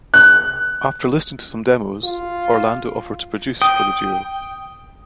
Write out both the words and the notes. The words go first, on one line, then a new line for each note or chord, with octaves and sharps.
After listening to some demos, Orlando offered to produce for the duo.
F#6
F4
G5 D#6